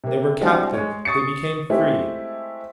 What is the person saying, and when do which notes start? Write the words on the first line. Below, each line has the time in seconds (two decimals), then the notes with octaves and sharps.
They were captive; they became free.
0.04 C3 A#3
0.41 E3 G3 G#3 C4 D4 F#4
0.74 G#3 C#5
1.05 C#6 D#6 A6 C7 C#7
1.70 G#3 A3 C4 E4 G4